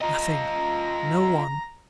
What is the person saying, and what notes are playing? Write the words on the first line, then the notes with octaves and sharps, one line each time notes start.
Nothing--no one!
F4 D#5 A#5